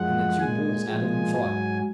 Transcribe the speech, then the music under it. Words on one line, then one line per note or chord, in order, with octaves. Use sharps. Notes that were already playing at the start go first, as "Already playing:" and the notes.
And the two bulls at it and fought.
Already playing: F#2 F3 G#3 F#5
A#2 G#3 G#5
A#2 F3 G#3
G#2 F#3 G#5